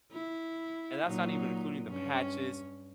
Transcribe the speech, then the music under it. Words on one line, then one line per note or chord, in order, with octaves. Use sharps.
And that's not even including the patches
E4
A#2 F#3 D#4
G2 C#4